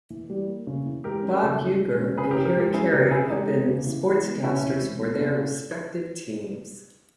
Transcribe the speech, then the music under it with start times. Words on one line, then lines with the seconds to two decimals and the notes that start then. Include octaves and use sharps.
Bob Uecker and Harry Caray have been sportscasters for their respective teams.
0.10 E3
0.30 G3
0.47 A#3
0.67 C#3
0.86 E3
1.04 G#3 G4 A#4
1.23 C#4
1.43 C#3
1.61 E3
1.80 G#3
1.98 C#4
2.17 C#3 G#4 B4
2.31 G4 A#4
2.36 E3
2.45 G4 A#4
2.56 G#3 G4 A#4
2.73 C#4 E4 G#4
2.92 C#3 D#4 G4
3.04 A#4
3.11 E3 E4 G#4
3.30 G#3 D#4 G4
3.49 B3
3.68 C#3
3.87 E3
4.06 G#3
4.24 B3
4.43 C#3 C#4 E4
4.63 E3
4.81 G#3
5.00 B3
5.19 C#3